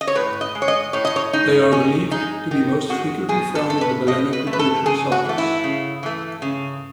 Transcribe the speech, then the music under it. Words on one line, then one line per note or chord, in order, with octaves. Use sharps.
They are believed to be most frequently found in the balanopreputial sulcus.
D#5
C#5
A2 B4
D#5
G#3
C#5
D#5
A2 C#5
D#5
C#5
G#3 D#4
D#3 C#4
G#3 D#4
D#3
G#3 F#4
B2 G#4
A4
A3 A4
B4
B2 D#5
B4
A3
B4
A4
C#3 G#4
F#4
E3 A3
E4
C#3
E3 A3
C#3